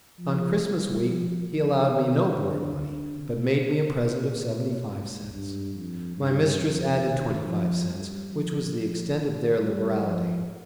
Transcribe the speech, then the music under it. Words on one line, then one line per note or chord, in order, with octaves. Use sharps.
On Christmas week he allowed me no board money, but made me a present of seventy-five cents; my mistress added twenty-five cents, which was the extent of their liberality.
F3
G3
F3
F3
D#3
D3
D3
C3
A#2
A#2
G#2
G2
F2
G2
F2
D#3
F3
G3
F3
F3
D#3
G3
F3